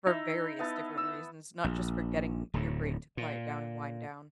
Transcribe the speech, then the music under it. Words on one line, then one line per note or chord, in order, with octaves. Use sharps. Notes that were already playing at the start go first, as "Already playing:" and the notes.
For various different reasons, not just for getting your brain to quiet down and wind down.
D#4 E4 E5
B3 E4 A5
E6
A#1
D1 D2 A2
A#2